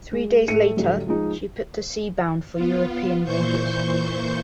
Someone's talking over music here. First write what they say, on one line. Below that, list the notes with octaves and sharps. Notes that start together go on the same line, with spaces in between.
Three days later, she put to sea bound for European waters.
G#3
A2 A3 A4 C#7 D#7
A2 D3 F#3 G3 A3
F3 G#3 D#4
B3 F4
A#2 E3 C5 C#6 G6